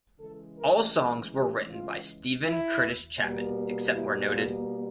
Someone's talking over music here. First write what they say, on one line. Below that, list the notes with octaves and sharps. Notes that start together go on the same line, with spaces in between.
All songs were written by Steven Curtis Chapman, except where noted.
C#3 E3 G#3 A4
A#4
G#4
G4
F4
E4
B2 G3 A#3
E4
F4